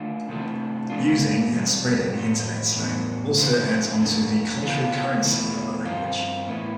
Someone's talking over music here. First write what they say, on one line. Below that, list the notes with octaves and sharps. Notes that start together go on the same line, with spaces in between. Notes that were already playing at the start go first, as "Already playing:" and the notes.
Using and spreading Internet slang also adds onto the cultural currency of a language.
Already playing: D3 A3 D4 F4
C3 E3 A3 D4
E3 A3 D4 F4
B2 G3 C4 F4
A2 F3 A3
A2 E3 B3
D3 F3 C4 E4
F2 D3 A3
E3 B3 D4 F4
B2 A3 E4
G2 F3 C4 F4
A2 E3 B3 E4